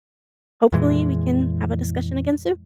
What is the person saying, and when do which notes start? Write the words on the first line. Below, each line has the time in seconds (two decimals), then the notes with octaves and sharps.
hopefully we can have a discussion again soon.
0.72 F2 A#2 E3 G#3